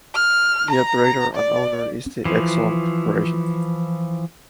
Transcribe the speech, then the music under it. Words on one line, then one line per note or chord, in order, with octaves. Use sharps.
The Operator and Owner is the Exelon Corporation.
F6
A#5
D5
E3 F3